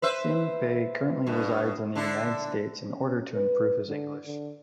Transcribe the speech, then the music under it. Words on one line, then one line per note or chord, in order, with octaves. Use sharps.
Hsin Pei currently resides in the United States in order to improve his English.
B4 C5 E5
G2 B2
D3 D4 E4
C#4
B4
D3
D3